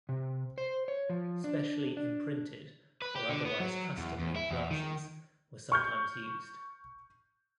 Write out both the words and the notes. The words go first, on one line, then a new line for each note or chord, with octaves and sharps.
Specially imprinted or otherwise custom-made glasses were sometimes used.
C3
C5
C#5
F3
D4
D4
B4
G4
D3
B3
F#3
E2
E2
E4
E2
D#3
C#6 F6 G6